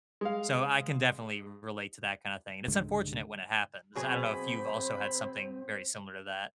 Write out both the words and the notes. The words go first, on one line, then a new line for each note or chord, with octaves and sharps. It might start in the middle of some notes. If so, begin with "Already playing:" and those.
So, I can definitely r relate to that kind of thing. It's unfortunate when it happens. I don't know if you've also had something very similar to that.
G#3 F5
C#2 G#2 D3 G#3
B2 F#3 C4 G#4 C5 G#5 B5